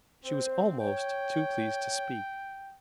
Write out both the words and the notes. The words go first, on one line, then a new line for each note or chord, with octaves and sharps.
She was almost too pleased to speak.
C4 C5
C#5 G5